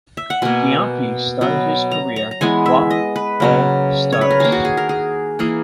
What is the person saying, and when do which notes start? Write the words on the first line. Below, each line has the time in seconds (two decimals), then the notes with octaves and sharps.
Gyamfi started his career Wa All Stars.
0.17 E5
0.30 F#5
0.42 B2 A#3 G#5
1.41 B2 F#3 B3
1.91 A#5
2.16 A#5
2.31 A#5
2.41 E3 G#3 B3 G#5
2.66 E5
2.90 D#5
3.16 B4
3.40 C#3 F#3 A#3
4.12 C#5
4.21 B4
4.31 A#4
4.40 D#3 A#3 G#4
4.52 F#4
4.65 G#4
4.77 A#4
4.89 G#4
5.39 E3 A#3 G#4